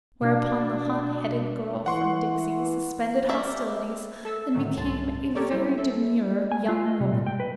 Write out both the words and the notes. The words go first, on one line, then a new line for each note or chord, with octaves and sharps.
Whereupon the hot-headed girl from Dixie suspended hostilities and became a very demure young woman.
B2 D4
E3 F#5 C6 C#6
G3 A3 A#3 E5
A4 E5 E6
A2 D3 D#3 F#3 A3
C2 G2 A5 C6 A6
G4 A4 A#4 C#5 D5
F#3 G3 E4 C5
A4 E5
G#5
F4
D#5
C3
A#2
G5
B4